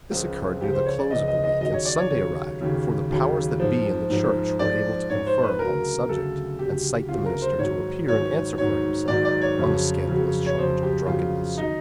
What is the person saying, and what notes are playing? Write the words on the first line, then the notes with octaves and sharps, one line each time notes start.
This occurred near the close of the week, and Sunday arrived before the powers that be in the church were able to confer upon the subject, and cite the minister to appear and answer for himself on the scandalous charge of drunkenness.
C#2 C#3 F3
C#2 C#3 F3 G4
C5
C#5
D5
C#2 C#3 F3 D#5
D#5
D#5
D#2 C#3 F#3 D#5
C#5
D5
C#5
D#2 C#3 F#3 C#5
D#2 C#3 F#3
D#2 C#3 F#3
G#2 F3
G#2 F3
G#2 F3 D5
G#2 F3 C#5
C5
B4
D2 C#3 F#3 A#4
D2 C#3 F#3 A4
D2 C#3 F#3 G4
D2 C#3 F#3 F4
A#4
C5
G#2 D#3 F#3 C#5
G#2 D#3 F#3 C#5
G#2 D#3 F#3 C#5
G#2 D#3 F#3 D5
D5
C#5
F2 C#3 F#3
F2 C#3 F#3
C#5
F2 C#3 F#3 C5
G4
F2 C#3 F#3 F4
D#3 F#3 D#4